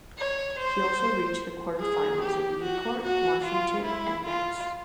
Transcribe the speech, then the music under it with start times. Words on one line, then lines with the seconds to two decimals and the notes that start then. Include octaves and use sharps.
He also reached the quarterfinals in Newport, Washington and Metz.
0.18 C#5
0.59 C5
1.81 G#4
2.22 G4
2.63 F#4
3.03 F#4
3.45 F4
3.85 E4
4.26 F4